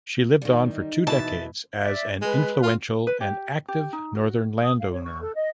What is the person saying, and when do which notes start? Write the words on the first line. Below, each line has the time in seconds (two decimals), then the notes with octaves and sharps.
She lived on for two decades as an influential and active Northern landowner.
0.42 D#3 G3
0.73 D#4
1.07 B2 E3 B4 E5 A5
1.79 D5 E5
2.22 G#3 B4
2.63 F4
3.07 B4
3.21 G4
3.68 G4
3.93 D#4
4.15 F#4
4.63 D#6
4.80 F5
4.92 C#5
5.04 C#6
5.21 A4
5.35 D#5